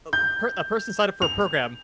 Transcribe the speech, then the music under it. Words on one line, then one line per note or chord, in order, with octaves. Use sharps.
a per a person signed up for a program
G6
F7